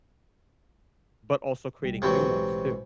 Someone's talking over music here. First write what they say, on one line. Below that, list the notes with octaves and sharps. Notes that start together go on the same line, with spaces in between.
but also creating new ones, too.
B1 G3
B1 A2 C3 E3 F#3 G#3